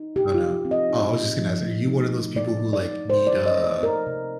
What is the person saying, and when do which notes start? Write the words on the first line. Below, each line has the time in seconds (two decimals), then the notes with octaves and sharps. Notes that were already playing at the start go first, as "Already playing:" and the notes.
Oh, no. Oh, I was just gonna ask, are you one of those people who, like, need a
Already playing: D#4
0.16 C3 G4
0.34 F4
0.40 F3
0.52 F4
0.65 C4
0.71 D#5
0.90 D#4
1.14 C3
1.38 F3
1.62 A3
1.87 D#4
2.12 C3
2.36 F3 D5
2.61 A3
2.73 D5
2.85 D#4
3.09 C3 C5
3.27 D5
3.33 F3
3.46 D#5
3.58 A3
3.64 D5
3.82 D#4 A#4
4.07 C3